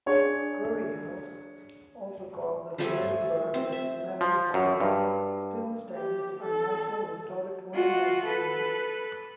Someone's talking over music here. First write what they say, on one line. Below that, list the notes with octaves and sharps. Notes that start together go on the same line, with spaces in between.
Curry House, also called the Curry-Burt-Smelley House, still stands, a National Historic Landmark today.
D4 G#4 C#5
F3 G3 A3 G#5
C4
E5
F3
F#2
G2
G4
A4
F4 F#4
A4 B4